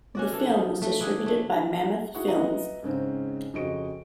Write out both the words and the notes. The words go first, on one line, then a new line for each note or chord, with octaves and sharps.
The film was distributed by Mammoth Films.
C#4 F#4 D5
E3 A4
F3 D#4
A3
D3 G#4 A4
A3
D#4 E4 F#4 G#4 F#5 C#6
B4 D#5 E5 F#5 A#5
G#2 C#3 C4 C#4
F2 C#3 F#4 D#5 C#6 D7